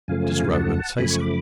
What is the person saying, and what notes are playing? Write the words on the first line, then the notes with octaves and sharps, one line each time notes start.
"Does Rowland say so?"
F#2 C#3 F3 A3 F5 G#5
F#5 A5
F#2 C#3 F3 A3 G#5 B5
C#6
B5 D6